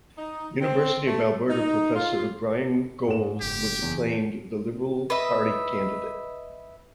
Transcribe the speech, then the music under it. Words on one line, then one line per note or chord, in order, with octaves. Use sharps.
University of Alberta professor Brian Gold was acclaimed the Liberal Party candidate.
D#4
C4
A3
D#4
F4
G#2 E7
F#1 G4
E2
B4 D#5 E5